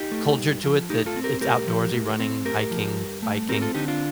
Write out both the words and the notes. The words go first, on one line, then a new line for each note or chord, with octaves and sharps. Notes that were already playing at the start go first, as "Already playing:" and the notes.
culture to it, that it's outdoorsy, running, hiking, biking,
Already playing: D#4 G4
A3
G2
F3
A2 D#4 G4
F4 A4
C4
G4 A#4
A2 G4 A#4
F3
A2
C4
A2 G4 A#4
F3
G2
A3
C4 G4 A#4
F4 A4
D3 D#4 G4
D4 F4